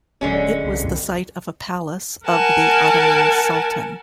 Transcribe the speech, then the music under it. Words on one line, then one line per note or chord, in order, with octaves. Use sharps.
It was the site of a palace of the Ottoman sultan.
D1 D3 G#3 C#4
C2
A#4 F#5 G#5 A5